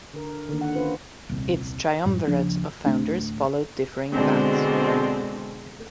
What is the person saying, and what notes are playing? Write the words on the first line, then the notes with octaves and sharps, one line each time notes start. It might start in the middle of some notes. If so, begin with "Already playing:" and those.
Its triumvirate of founders followed differing paths.
D3 A#4
D3 D#3 A#3
F#5
C#4 F4 B4 C5
D#1 C2
F#2 A2 G3
D#2 C#3 F3 D4
D1 E2 A3 D4
B2 D3 G#3 C4